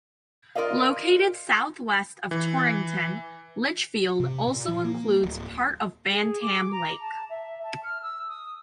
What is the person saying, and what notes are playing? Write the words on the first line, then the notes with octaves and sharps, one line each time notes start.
Located southwest of Torrington, Litchfield also includes part of Bantam Lake.
F4 A#4 D5 D#5 F5
E3
C3
A#2
F3
A#3
D1
G#4
D6
A#5
A5
E5
A5
F6
E6
D#6